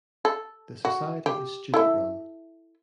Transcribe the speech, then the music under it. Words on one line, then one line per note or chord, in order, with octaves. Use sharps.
The society is student-run.
A4
F#4
G4
E4 A4 E5